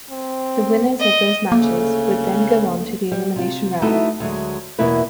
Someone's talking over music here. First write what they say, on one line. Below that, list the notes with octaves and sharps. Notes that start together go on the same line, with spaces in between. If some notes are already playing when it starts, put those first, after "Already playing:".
The winners of those matches would then go on to the elimination round.
C4
D#5
D2 C#3 A3 A#3
G3
C3 F4
A3 B3 D#4 E4 F#4
D2 F#3 G#3
E2 B2 A#3 E4 B4